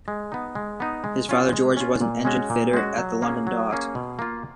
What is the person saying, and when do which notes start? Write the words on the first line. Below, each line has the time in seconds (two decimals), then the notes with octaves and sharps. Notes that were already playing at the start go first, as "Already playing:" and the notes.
His father George was an engine fitter at the London Docks.
0.08 G#3
0.32 B3 D#4
0.55 G#3
0.80 B3 D#4
1.04 G#3
1.29 C#4 F4
1.52 G#3
1.77 C#4 F4
2.01 A#2
2.25 G#3 C#4 F#4
2.50 A#2
2.74 G#3 C#4 F#4
2.98 F#3
3.22 A#3 C#4 G#4
3.47 F#3
3.71 A#3 C#4 G#4
3.95 B2
4.19 A#3 F4